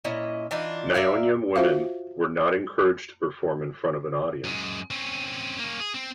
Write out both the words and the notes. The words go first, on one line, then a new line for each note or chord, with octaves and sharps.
Nyonya women were not encouraged to perform in front of an audience.
A#2 C#4 E4 D#5
E3 D4 D#4 F4
A#4 D5 E5 F5
F4 F#4 C5 E5 F5
F#2 G#3
C4 C#4
A#3 C#4
G#4
C4